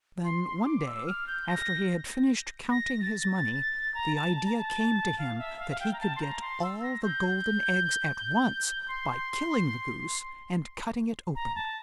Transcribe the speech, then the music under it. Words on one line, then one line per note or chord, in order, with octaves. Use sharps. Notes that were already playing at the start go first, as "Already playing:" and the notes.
Then one day, after he had finished counting his money, the idea came to him that he could get all the golden eggs at once by killing the Goose and cutting it open.
C6
C6
C6
D6
E6
F6
G6
A#6
A#6
A6
A#5
A5
A5
A#5
A5
F5
E5
F5
F5
G5
A#5
A5
C6
A#5
C6
E6
A#6
G6
C6
A#5
A5